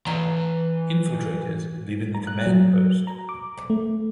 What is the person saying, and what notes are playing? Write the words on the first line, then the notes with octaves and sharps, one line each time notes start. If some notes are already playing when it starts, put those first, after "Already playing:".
Infiltrators live in the Command Post.
E3 A#5
A#5
F#6
F#3
A#5
D6
A3